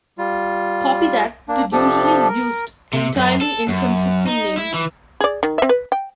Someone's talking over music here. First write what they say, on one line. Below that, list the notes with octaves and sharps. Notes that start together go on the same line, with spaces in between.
Copy that did usually used entirely inconsistent names.
G3 F4
A#3 D4
C3 F3 D4 G4 A4
A#4
C3
F#2
A4
F#2
D#4
E4
E3
G#4 D5
D#3
C4 E5
B4
G5